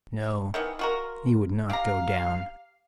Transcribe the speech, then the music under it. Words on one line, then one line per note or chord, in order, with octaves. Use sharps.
No, he would not go down.
D#3 E3 B3
F4 F#4 A#4
G4 F5 A#5